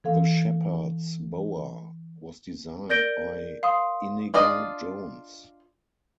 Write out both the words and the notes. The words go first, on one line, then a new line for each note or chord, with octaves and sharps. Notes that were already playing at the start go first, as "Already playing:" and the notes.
The shepherd's bower was designed by Inigo Jones.
E3 A4 F5
A#4 D5 G6 A#6 D7 G7
F5 C6 D#6
D4 F4 D5 D#5